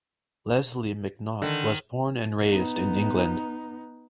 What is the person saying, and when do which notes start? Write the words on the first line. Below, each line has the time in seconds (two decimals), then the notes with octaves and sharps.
Lesley McNaught was born and raised in England.
1.42 D3 D#3
2.49 B3 D#4